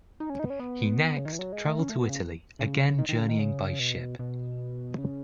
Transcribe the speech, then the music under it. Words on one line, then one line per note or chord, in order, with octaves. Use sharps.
He next travelled to Italy, again journeying by ship.
D#4
C#4
D#4
B3
C#4
B3
C#3
D#3
E3
F#3
G#3
A3
C#4
A3
B3
C#3
C#3
D#3
D#3
C#3
D#3
C#3
B2
B2
C#3